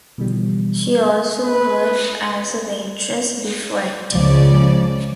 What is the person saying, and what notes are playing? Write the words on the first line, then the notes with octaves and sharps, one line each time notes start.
She also worked as a waitress before acting.
B2 D3 E3 F3 G3
B4
C#2 C#3 F3 D5